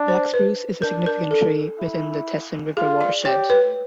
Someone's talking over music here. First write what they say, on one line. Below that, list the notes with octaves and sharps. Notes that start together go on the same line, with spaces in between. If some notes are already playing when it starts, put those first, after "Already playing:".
Black Spruce is a significant tree within the Teslin River watershed.
Already playing: D4
C5
B4
D4 A#4
A#4
A4
E4
F4 G#4
D5
G4 C#5
B4